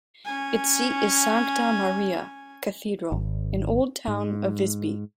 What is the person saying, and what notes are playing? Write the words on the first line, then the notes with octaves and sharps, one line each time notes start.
Its seat is Sankta Maria cathedral in old town of Visby.
C#4 G#5
G#1
G#2